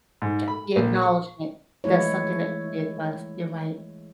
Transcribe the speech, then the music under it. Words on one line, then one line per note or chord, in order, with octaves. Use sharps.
Yeah, the acknowledgement. That's something that you did last you're right.
G#2
B5
A#1
C#6
E3 G#3 A3 E4 C#5